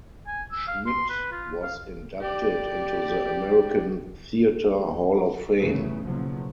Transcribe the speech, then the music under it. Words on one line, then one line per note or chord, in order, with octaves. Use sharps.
Schmidt was inducted into the American Theatre Hall of Fame.
G#5
E6
F5
C6
B4
F4
F5
G4 D5
E2 G2 C#3 E3 A3
F#1 B2 F3 F#3